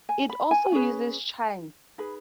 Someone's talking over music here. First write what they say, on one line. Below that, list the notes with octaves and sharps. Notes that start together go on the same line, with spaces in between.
It also uses chimes.
G#5
B5
G#5
C#4 G#4 B4
D#4 G#4 B4 B5